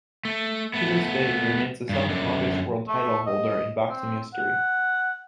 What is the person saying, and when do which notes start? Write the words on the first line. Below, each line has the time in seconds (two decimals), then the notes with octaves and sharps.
To this day he remains the second longest world title holder in boxing history.
0.25 A3
0.74 A3 B3
1.89 G2 D#3
2.09 F#2 D3
2.88 A3
3.27 D#5
3.89 C4
4.34 F#5